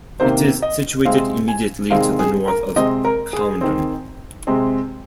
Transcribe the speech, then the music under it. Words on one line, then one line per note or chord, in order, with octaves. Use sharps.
It is situated immediately to the north of Coundon.
C3 D#3 A#3 C5
D#5
C3 G#3 C4 F5
G#5
C3 D#3 G#3 C4 F5
G#4
A#4
C3 G#3 C4 D#5
A#4
G#4
D#3 C4
C3 G#3 C4